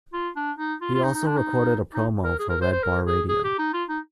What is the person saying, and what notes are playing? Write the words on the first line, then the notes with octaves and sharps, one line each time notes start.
He also recorded a promo for Red Bar Radio.
F4
D4
D#4
F4
F4
D#4
D#4
D4
D#4
D#4
A#4
G#4
A#4
C5
C5
A#4
G#4
G#4
G4
D#4
F4
D#4